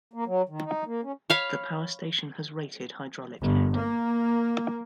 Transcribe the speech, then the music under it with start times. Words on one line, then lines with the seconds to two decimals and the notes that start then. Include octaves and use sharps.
The power station has rated hydraulic head.
0.13 A#3
0.26 F#3
0.49 D#3
0.64 D#4
0.86 A#3
1.03 C#4
1.30 C#5 F5 B5
3.41 G1
3.76 A#3